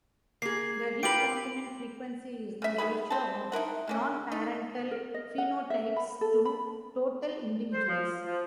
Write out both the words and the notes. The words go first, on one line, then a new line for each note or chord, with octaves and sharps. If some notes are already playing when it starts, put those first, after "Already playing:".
The recombinant frequency is the ratio of non-parental phenotypes to total individuals.
A#3 G#4 C7
F4 G4 A#4 B4 D7 F#7
C#3 E5
B2 D#3 G#4 B5
C4 A5
D#4 E4 A#4 F#5
G#3 A#3 C#4
D#4
A#4
D#5
F#5
E5
B5
A4
B5
C5
F3
F3